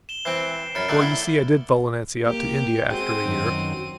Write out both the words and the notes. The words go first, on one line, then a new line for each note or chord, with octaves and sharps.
Well, you see, I did follow Nancy out to India after a year....
E7 G7
E3 C4 C7 D7
F#2 B5 F6 A6 C#7
D3 D#3 A3 A6 F#7 G7
E4 E7 G7
A#3 G4 G5
G#3 C4 F#4 G5 D#7
F#2 D#3 F#3